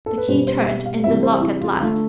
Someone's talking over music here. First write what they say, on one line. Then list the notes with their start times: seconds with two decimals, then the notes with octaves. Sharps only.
The key turned in the lock at last.
0.06 A4
0.17 B4
0.28 B2 G3 C5
0.47 C5
0.66 E5
0.85 F5
1.04 C3 E3 G3 E5
1.23 C5
1.42 E4
1.61 F4
1.80 D3 A3 F4